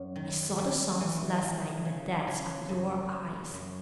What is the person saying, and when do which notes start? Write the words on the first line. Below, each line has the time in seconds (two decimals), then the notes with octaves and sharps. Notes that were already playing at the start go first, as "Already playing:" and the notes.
"I saw the songs last night in the depths of your eyes."
Already playing: F#2 G3
0.16 D#3
0.58 G3
1.00 E3
1.43 E3
1.85 C#3
2.27 C#3
2.69 F#2
3.12 F#2
3.54 F#2